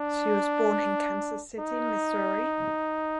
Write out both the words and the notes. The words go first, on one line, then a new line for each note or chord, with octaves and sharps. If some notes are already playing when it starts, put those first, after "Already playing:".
She was born in Kansas City, Missouri.
Already playing: D4
D#4